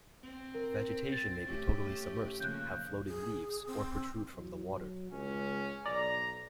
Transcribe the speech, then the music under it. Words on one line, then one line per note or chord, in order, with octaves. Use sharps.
Vegetation may be totally submersed, have floating leaves, or protrude from the water.
C4
A#4
A6
A3 C#4 G4
C#3 F3 A#3 F#6 G6
G#4
C4
F#3
C#2 C#4
B1 D5 A#5